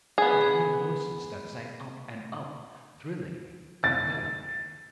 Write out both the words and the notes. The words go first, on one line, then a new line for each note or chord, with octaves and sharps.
I could hear voices that sang up and up, thrilling, compelling.
B3 G#4
A6